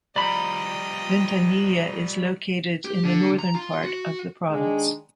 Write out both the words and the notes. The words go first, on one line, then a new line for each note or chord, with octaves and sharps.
Ventanilla is located in the northern part of the province.
F3 G3 D5 D#5 G5 A#5 B5
G4
D3
A#5
F4
F#4
D#3 G#3 D4